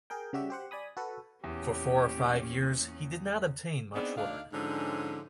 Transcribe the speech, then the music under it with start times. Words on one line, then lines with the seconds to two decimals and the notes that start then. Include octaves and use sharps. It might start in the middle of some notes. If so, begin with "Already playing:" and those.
For four or five years he did not obtain much work.
0.10 G#4 A#4 G5
0.33 C#3 G3 F#4 G4 E5
0.50 G4 C5 F#5
0.71 D5 G#5 B5 D#6
0.97 F#4 A4 B4
1.44 E2 A#2 C#4 G4
3.95 B3 C4 D4 D#4 G#4
4.17 D2 D4 D#4 F5
4.53 G#2 D3 F3 C#4 D4